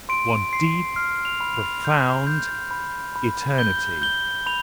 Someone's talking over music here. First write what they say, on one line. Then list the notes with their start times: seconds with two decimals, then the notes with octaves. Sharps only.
"Want deep profound eternity!"
0.09 C6 D7
0.52 C6 C7
0.96 F6 C7
1.25 F7
1.41 B5
1.54 F7
1.85 G6
2.27 G6
2.71 B5
3.16 B5
3.58 G6 G7
4.02 G6 G7
4.46 B5 F7